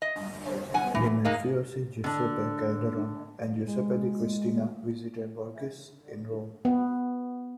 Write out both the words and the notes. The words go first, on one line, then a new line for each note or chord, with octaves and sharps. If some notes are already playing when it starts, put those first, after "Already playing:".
The mafiosi Giuseppe Calderone and Giuseppe Di Cristina visited Borghese in Rome.
D#5
F#5 G#5
E3
G#3 A#3 D#4
D3 D4
G#3
B3